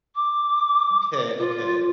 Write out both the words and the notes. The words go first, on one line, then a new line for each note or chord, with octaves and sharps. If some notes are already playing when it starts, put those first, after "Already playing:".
Okay, okay.
D6
F4